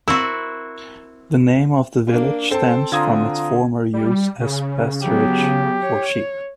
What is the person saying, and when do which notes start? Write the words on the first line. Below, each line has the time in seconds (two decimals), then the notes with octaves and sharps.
The name of the village stems from its former use as pasturage for sheep.
0.08 C4 E4 F#4 A#4 E6
2.06 A#3 D4
2.51 C4 A4 C5 A5
2.92 D3 F4 A#5 D#6 G#6
3.93 G3
4.40 C#3
5.03 F#3 B3 G4
5.83 C#5